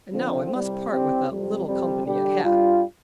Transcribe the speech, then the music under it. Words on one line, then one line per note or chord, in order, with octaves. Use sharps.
And now I must part with that little company I had.
D3 F3 C4
C2 C3 G3
C2 C3 G3 C4 G4
F2 C3 G3
F2 C3 G3
D3 G3 D4 G4
G2 G3 F4